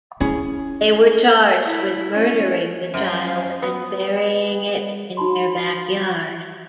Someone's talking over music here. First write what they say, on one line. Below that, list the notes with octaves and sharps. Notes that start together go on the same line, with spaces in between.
They were charged with murdering the child and burying it in their backyard.
C#4 E4 G#4 B5
E4
C#4
F#2 C#4 C5 F5
B3
D#4 F#4 A5 B5 C6